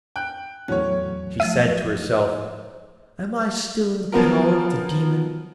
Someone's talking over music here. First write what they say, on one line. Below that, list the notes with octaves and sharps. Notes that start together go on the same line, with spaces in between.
She said to herself, 'Am I still in the power of the demon?
G5 F#6
E2 A2 F#3 C#4 C#5 F#6
F3 A3 E5 D#7
F3 F#3 B3 F4 A#4